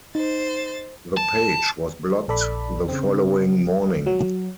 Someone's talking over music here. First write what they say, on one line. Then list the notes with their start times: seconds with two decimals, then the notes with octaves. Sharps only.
The page was blocked the following morning.
0.15 D#4 C5 A6
1.17 A5
2.28 A#1 A4 D5 B5
2.88 C#3 C4
4.06 F#3